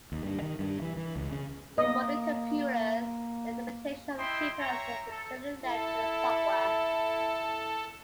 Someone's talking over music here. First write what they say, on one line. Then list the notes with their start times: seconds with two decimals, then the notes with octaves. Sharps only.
In modern computers, the interpretation of keypresses is generally left to the software.
0.12 D#2
0.23 G2
0.42 D#3
0.59 G2
0.82 E3
0.97 E3
1.16 C#2
1.32 C#3
1.78 A#3 D#5
4.18 E4 D#5 E5 G5 C6
4.59 C#5 E5 G5 A#5
5.09 A4
5.63 E4 A4